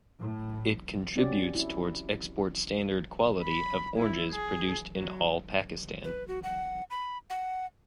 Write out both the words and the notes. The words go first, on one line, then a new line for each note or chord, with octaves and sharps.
It contributes towards export standard quality of oranges produced in all Pakistan.
A2
C4 C#4 F#4 G4 D5
E4
B5
E4
G#4
F#3
B4
F#4
F#5
B5
F#5